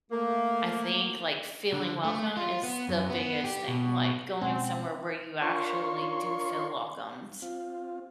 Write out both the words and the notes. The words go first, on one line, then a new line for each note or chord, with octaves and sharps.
I think, like, feeling welcome is the biggest thing, like going somewhere where you actually do feel welcomed.
A3 A#3
D3
A3
F4
B3
F#2
B3
G4
B2
B2 G#3 C4 C#4 F#5 G#5 C6
D4 F4 A#4 C#5 C6 C#6
C4 F4